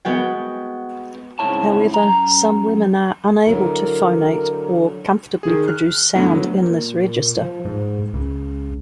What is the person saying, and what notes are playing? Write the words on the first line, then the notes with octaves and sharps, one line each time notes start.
However, some women are unable to phonate or comfortably produce sound in this register.
G#3 B3 F#4 G5
G#2 C#3 C4 E4 C#5 A5
F#2 A#5
D3 F#3 E4 A#4
D#3 G#4
F6 F#6
G2 D3 A3 B3 E4
F#3
A#2
F3
G#2
C#2